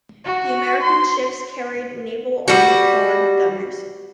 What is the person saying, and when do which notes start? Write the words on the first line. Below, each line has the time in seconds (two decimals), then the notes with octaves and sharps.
The American ships carried Naval Armed Guard gunners.
0.25 F#4
0.82 C6
2.48 G3 F#4